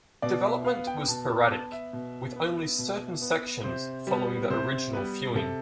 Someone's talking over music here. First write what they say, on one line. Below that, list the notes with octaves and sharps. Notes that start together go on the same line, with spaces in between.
Development was sporadic with only certain sections following the original feuing.
B2 D5
E5
B3 F5
G5
B2 A5
A5
B3 A5
E5
B2
B3
B2
B3
C3 C5
G3 B3
C3 C5
G3 B3 B4
C3 A4